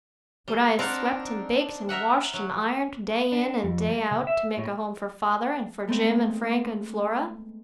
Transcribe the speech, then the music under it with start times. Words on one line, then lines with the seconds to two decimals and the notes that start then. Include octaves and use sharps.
Would I have swept and baked and washed and ironed, day in and day out, to make a home for father and for Jim and Frank and Flora?
0.48 G3
0.79 C4 D4 D#4 A#4 D5 F#5
1.89 A#4 E5 F#5
2.33 F#3
3.32 D4
3.63 F2
3.89 G3
4.11 C3
4.27 E5
4.57 A2
5.88 G#3 A3 B3 C4